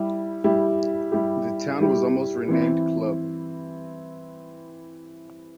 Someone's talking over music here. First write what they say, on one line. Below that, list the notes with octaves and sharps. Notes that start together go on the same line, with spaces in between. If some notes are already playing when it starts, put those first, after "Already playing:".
The town was almost renamed Clubb.
Already playing: G3 E4 G4
G3 E4 G4
G3 E4 G4
G3 E4 G4
E3 C4 E4